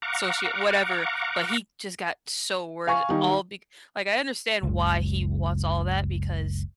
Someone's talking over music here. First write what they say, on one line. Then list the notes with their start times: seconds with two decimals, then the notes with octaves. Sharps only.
socia whatever." But he just got so wor all bec like, I understand why he wants all that because,
0.02 F5 F#5 A#5 C#6 D6
2.87 F5 G#5 C#6
3.09 D#3 G3
4.63 F#1 C#2